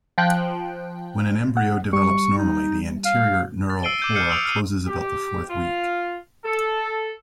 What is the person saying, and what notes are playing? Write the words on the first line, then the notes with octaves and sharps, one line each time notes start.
When an embryo develops normally, the anterior neural pore closes about the fourth week.
F3 G5 F#6
F#5
G3 C#6
D#4
F5
A6
E6 C7 D7 D#7 G7
D6 G6 D#7
F6 G6 C7 C#7 D#7
D#6 E6 D7 F7
F6 C7 D#7
G4
F4
A4